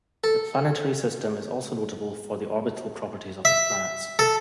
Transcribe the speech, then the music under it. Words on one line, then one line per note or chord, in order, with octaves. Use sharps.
The planetary system is also notable for the orbital properties of its planets.
A4
E5
A4